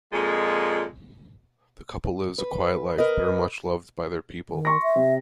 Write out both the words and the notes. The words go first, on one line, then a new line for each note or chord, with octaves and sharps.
The couple lives a "quiet life" but are much loved by their people.
F2 A#2 G#3
B4
A#4 B4 D#5
D#3
C6 C#6 A#6
E5
C3